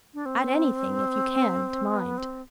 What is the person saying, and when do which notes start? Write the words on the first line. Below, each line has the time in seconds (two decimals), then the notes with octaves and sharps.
Add anything if you can to mind!
0.14 D4
0.26 C4
1.96 B3
2.18 C4